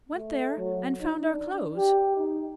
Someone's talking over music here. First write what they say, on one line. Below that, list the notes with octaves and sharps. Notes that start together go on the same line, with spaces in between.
Went there and found our clothes.
A3
F#3
D#4
D4
G4
D#4